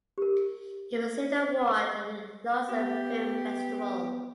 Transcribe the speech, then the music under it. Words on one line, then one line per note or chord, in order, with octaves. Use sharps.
It received an award at the Lausanne Film Festival.
G4 A#4
B3 G4